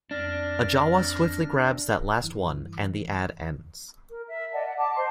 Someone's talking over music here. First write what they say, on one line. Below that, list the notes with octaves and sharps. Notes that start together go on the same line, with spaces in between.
A Jawa swiftly grabs that last one and the ad ends.
F2 D4 F6 A#6
G2 E3
A#4
E5
D5 D#5 F#5 A5
F#5
A5 D6
C5 D#5 A5 C6